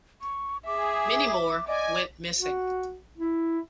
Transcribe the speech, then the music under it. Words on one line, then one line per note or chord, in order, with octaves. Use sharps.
Many more went missing.
C#6
G#4 E5 D6
D5 D#5 G#5
F#4
E4